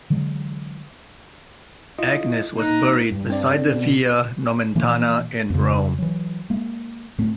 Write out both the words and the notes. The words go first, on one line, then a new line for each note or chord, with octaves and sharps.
Agnes was buried beside the Via Nomentana in Rome.
D3 E3 F#3 G#3
E4 F4 D#5
A#3 D#4 F#6
G2
C4 D5
B2
A#2 E3 F3 A#3
F2 C#3
E3 F#3
G#3 A#3
A2 A3 C4